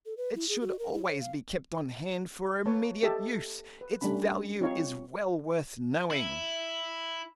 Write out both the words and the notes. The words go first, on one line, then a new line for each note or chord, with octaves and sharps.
It should always be kept on hand for immediate use. Its value is well worth knowing.
A4
B4
E4
G#4
F#4
A#4
E4
C#5
F5
A#3 B4 C#5 A5
G4 A4 D#5 E5 A5
B4
G3 A3 C#4 D4 B5
C4 D#4 F4 C#5 F5
E4